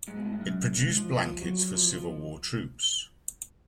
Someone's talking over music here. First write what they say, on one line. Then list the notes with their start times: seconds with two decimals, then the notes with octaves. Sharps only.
It produced blankets for Civil War troops.
0.08 G#2
0.17 B2
0.25 A2
0.33 G#2
0.41 F#2
0.74 G#2
0.97 F3
1.20 F3
1.41 F#3
1.58 F#3
1.75 F3
1.92 F3